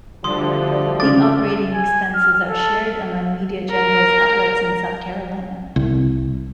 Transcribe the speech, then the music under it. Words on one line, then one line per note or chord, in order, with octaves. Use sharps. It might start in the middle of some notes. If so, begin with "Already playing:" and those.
The operating expenses are shared among Media General's outlets in South Carolina.
D2 D3 F3 G3 C6 D#6
C#3 D6 A6
G#5
F6
A4
A#4
C2